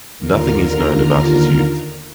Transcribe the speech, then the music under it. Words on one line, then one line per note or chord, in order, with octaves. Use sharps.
Nothing is known about his youth.
D#2 D3 F4 A#4 A#5 F6